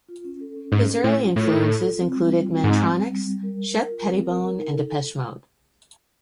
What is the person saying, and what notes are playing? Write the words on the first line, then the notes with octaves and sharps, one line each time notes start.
His early influences included Mantronix, Shep Pettibone, and Depeche Mode.
F4
C#4
A4
C#4
G#2 C#4
A4
A2 C#4
F4
A2 A4
A4
A4
F4
C4
G3
F4
C4
G#2 C4
G3
C4
G3
G3
A#4
A#4
A#4
F4
C4
A#4
A#4
D#4
A4